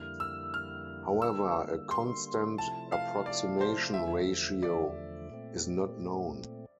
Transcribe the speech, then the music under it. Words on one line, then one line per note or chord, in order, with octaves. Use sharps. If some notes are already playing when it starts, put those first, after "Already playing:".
However, a constant approximation ratio is not known.
Already playing: F2 D3 G3 A#3 E4 F6
E6
F6
D3 G3 A#3 E6
C6
C3 F3 A3 E4 A5
F5
D5
C5
E2 D3 F3 A3 E5
D5
A#2 A3 C4